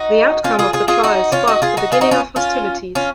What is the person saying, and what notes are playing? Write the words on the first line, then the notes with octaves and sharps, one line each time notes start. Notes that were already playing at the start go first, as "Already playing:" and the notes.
The outcome of the trial sparked the beginning of hostilities.
Already playing: D#4 F#4
C#4 F4
F4 G#4
F4 G#4
F4 G#4
D#4 F#4
C#4 F4
D#4 F#4
F4 G#4
D#4 F#4
F4 G#4
D#4 F#4
C#4 F4
C#4 F4
C#4 F4